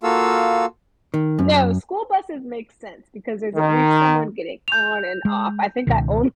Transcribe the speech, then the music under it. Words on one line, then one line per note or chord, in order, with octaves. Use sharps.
No, school buses make sense because there's at least someone getting on and off. I think I only
A#3 F4 F#4 A4 F5 E6
D#3
F#2
D#3
G6 F7
G#3
C#2 B2 D#3